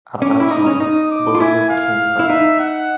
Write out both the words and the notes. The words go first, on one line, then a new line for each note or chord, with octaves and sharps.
At that time Gloria became pregnant.
C#4 D6
E4
D#4 D#6
C#4
D#4 D#6
D6
F4
E4 G#5
F5
E4
D#4 E5
F#5